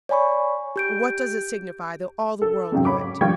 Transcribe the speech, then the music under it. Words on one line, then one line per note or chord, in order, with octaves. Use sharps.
"What does it signify though all the world knew it?"
C#5 D5 G#5 B5 C#6
G4 G6 D7
A4
F2 G#2 C#3 F#3 G5
C#5 B5 D6
F3 G3 F4 G5 C#6 G#6